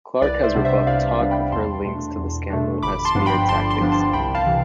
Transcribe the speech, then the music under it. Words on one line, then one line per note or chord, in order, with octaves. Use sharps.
Clark has rebuffed talk of her links to the scandal as "smear tactics".
C2 B4 D5
C5 E5
C3 G3 B3 D4
C5 E5
C2 D5 F5
C3 G3 B3 D4
G5 B5
E2 A5 C6
B2 A3 D4
E2
B2 A3 D4
G1 B5 D6
A5 C6
G2 F3 B3 D4
G5 B5
G1 A5 C6
A5 C6
G2 F3 B3 D4
A5 C6
C2 G5 B5
F5 A5
C3 E3